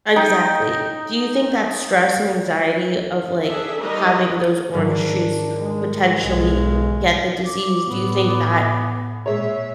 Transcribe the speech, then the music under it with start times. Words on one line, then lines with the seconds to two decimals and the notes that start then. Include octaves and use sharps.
Exactly. Do you think that stress and anxiety of, like, having those orange trees potentially get the disease, do you think that
0.16 D#4 G5
3.47 D4 G#4 A4 E5
3.80 G3 D#4 A#4 B4 C#5 D#5
4.74 G#2 D#3 F#3 D4
5.60 G#3
6.22 B1 G#3 G#6
7.46 D6
7.86 A2 B3
9.26 A#2 G#3 C#5 E5